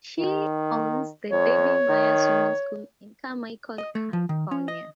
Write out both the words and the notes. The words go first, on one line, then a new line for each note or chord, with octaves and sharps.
She owns the Debbie Meyer Swim School in Carmichael, California.
D#3
F2 C#5
D#3
D#5
A3
F3
D#3
C#4
D#5